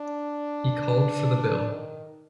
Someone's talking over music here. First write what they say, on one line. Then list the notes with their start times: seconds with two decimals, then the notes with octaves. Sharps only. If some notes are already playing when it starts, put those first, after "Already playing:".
He called for the bill.
Already playing: D4
1.68 D#3